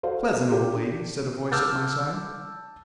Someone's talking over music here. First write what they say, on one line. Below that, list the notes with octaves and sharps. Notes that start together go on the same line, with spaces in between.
"Pleasant old lady," said a voice at my side.
F#4 A4 C5 F5
G4
D4
A5 D6 E6 F6 G6 A6